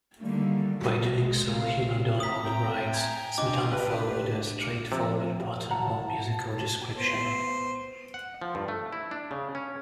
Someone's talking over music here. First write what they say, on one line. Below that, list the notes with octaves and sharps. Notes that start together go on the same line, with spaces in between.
By doing so, Hugh Macdonald writes, Smetana followed "a straightforward pattern of musical description".
D3 D#3 G3 A3 A#3
F#3
G#3
C3 A3 F5
C4 A#5 D#6 B6
G5
G#5 A#5 G#6
D4 F4 D#5 D6
D4 G4 B4
C3 F3
F#5 A5 A#5
B3 C5
F#5
F3
G2
A3
E4
D4
C#3
C#4